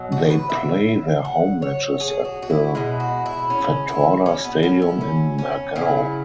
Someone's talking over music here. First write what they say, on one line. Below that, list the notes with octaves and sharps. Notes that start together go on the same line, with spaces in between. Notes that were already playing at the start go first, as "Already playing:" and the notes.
They play their home matches at the Fatorda Stadium in Margao.
Already playing: B2 F#3
F#4
B4
E5
F#5
C#5
G#4
F#4
F#4
E4
B2 G#3 E4
F#4
E4
C#4
E4
C#4
B3
C#4
E4
C#4
C#4
C#3 F#3 E4